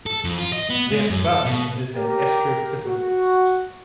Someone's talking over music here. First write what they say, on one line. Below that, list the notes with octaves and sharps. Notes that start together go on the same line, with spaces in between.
Their son is an astrophysicist.
A4
F2
F4
D#5
B3
G#3
F#2
A4
B2
G4 A#4
F#4